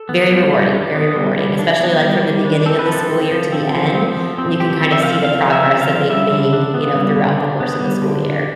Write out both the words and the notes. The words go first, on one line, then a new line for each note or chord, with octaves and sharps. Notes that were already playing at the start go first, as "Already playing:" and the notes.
Very rewarding, very rewarding, especially, like, from the beginning of the school year to the end when you can kind of see the progress that they've made, you know, throughout the course of the school year.
Already playing: A4
B3
G3
G3
D4
B3
G3
G3
D4
B3
G3
G3
D4
C4 A4
B4
F3 A4
C4
F3
C4
F3
C4
F3
C4
F3 G4
C4
E5
F3 F5
C4 F5
F3
E5
C4
F5
F3
G3 E5
D3
D4
B3
G3
D3
D4
B3
G3
D3
D4